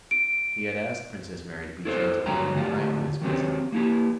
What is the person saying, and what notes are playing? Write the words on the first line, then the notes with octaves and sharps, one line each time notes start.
He had asked Princess Mary to be gentle and kind to his cousin.
D7
E4 A4 B4 C5
G2 D3 F#3 G3 G5 A#5
A2 D3 F4 G4
D#3 F#3 C4 G4
A#3 E4 G4